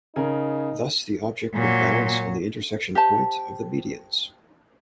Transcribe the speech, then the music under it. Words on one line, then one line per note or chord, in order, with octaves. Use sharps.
Thus the object would balance on the intersection point of the medians.
C#3 D#4 A#4 G#5
A#2 F#3
G4 C5 A5